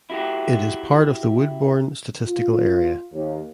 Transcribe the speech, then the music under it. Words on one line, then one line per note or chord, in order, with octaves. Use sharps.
It is part of the Woodbourne statistical area.
E4 F#4 G4
F4
D#2